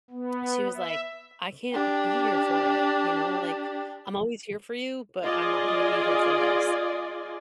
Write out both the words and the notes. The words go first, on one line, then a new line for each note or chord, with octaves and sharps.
she was like, "I can't be here for it." You know, like, "I'm always here for you, but I'm not gonna be here for this."
B3
E5
D4 G4
F4 G#4 D5 D#5 G#5